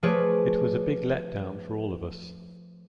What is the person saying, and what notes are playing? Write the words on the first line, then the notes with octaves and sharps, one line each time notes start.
It was a big let down for all of us.
F3 A3 G#4 B4 C#5 D5